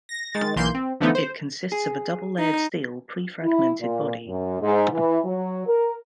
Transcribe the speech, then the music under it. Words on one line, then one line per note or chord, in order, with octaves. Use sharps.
It consists of a double layered steel pre-fragmented body.
A#6
D#3 G#3 A6
B1 E3 A#3 C6 G6
C4
D3 E3 F3 A3 B3 D#4
C5
G#4
D#4
E4
A#2
F#2
G#2
E3
F#3
A#4